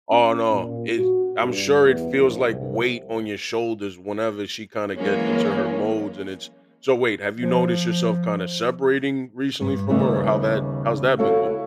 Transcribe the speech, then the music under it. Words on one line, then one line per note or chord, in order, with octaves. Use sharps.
Aw, no, it I'm sure it feels like weight on your shoulders whenever she kinda gets into her modes and it's so wait, have you noticed yourself kinda separating recently from her or how that how's that been going?
C#4
A#2
F#4
G2
E2
A#1
C2
E3 F#3 G#3 A#3 C#4
F3
G2
D#2 C#3 G3 A3 B3 D#4
E4 F#4 A4 C#5 F5